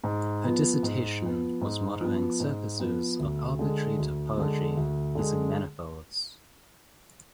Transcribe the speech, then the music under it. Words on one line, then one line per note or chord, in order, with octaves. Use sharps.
Her dissertation was "Modeling Surfaces of Arbitrary Topology using Manifolds".
G#2
F3 B3
G#2
F3 B3
G#2
F3 B3
G#2
F3 B3
D2
D3 G#3
D2
D3 G#3
D2
D3 G#3